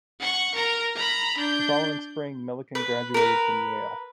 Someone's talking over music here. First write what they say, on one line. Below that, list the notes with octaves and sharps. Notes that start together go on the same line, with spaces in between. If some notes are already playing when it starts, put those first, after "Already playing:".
The following spring, Milliken graduated from Yale.
F#5 C#6
A#4 A#5
A#5 B5
D4 G6
B4
A#4 B4